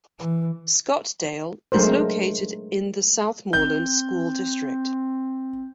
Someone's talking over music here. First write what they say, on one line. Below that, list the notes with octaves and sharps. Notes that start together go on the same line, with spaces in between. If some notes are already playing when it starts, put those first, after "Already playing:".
Scottdale is located in the Southmoreland School District.
E3
F#3 G#3 A3 D4 A#4 C5
C4 G6